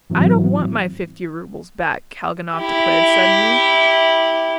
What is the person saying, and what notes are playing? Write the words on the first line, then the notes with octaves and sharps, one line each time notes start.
"I don't want my fifty roubles back," Kalganov declared suddenly.
G#2 E3 F#3 C4 E4
E4 G4